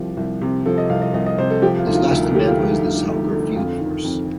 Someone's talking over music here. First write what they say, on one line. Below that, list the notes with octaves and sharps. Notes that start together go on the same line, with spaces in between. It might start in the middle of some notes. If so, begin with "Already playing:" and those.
His last command was the Saugor Field Force.
Already playing: C2 F3 G4
C2
C3
F3 A4
D#5
C2 F5
D#5
C2 D#5
D#5
C3 C5
A4
F3 G4
F4
D2 D#4
F4
D2 A4
A#4
D3 G4
F4
F3 F4
D#4
D2 F4
D#4
D2
D3
F2 F4
D#3
F2